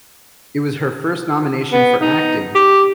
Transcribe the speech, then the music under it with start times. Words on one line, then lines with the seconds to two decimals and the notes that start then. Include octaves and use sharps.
It was her first nomination for acting.
1.72 B3
2.02 D#4
2.55 G4